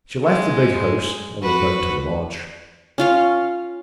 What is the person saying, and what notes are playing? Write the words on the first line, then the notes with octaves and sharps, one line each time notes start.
She left the big house and went down to the lodge.
G#3
F#4 B4
C#4 F4 F5